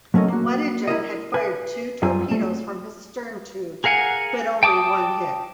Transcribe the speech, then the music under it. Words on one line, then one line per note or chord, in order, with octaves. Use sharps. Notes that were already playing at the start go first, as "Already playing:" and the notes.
Weddigen had fired two torpedoes from his stern tubes, but only one hit.
F#3 A3 C#4 A#4 D#5
A#3 F#4
E4 A#4 D#5
B4 G#5
F#2 G3 F4 G#5 A#5
A3
G#4 A#4 F5 F#5 G#5
G5 A5 D6 D#6